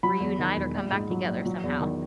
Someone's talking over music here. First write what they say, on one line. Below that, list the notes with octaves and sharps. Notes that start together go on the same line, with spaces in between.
reunite or come back together somehow.
F#3 B5
E2
D#3
E1
A#1
G#2
F#3
A#1
F#3
E2
D#3